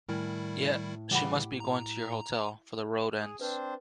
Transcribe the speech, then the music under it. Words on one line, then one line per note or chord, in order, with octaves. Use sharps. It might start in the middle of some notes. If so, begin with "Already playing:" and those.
Yet she must be going to your hotel, for the road ends.
A2 D#3 G3 E4 A#4 G#5
C#3 E3 G3 G4 F#5 B5
A#5
G#4
C4 D4 B4 C5